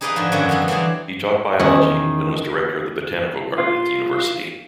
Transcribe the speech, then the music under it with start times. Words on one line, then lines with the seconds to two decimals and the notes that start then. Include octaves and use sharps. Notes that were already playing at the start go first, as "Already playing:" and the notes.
He taught biology and was director of the botanical garden at the university.
0.01 D#4 G#4 B4 D5 D#5 F5
0.16 G#2 D3 F3
0.32 F#2 D3 D#3 F3 F#3
0.49 G3 B3 G#4 E5
0.68 E3 F#3 G#4 C5 D5 F5
1.60 E2 D#3 C#4
3.58 F4